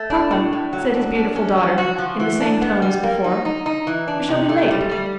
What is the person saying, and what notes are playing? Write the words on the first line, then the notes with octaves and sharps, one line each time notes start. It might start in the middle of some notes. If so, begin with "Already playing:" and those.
"Papa," said his beautiful daughter in the same tone as before, "we shall be late."
Already playing: A3
D4
A2
A2
F#3
D4
D4
C#4
C#4
F#4
F3
E3
D4
B3
G3
A#3
D#4
D#4
D#4
E3
D4
C3
A3
G3
G3